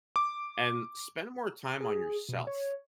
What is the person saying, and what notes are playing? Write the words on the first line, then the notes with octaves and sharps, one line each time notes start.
and spend more time on yourself.
D6
G#4
B2
C#5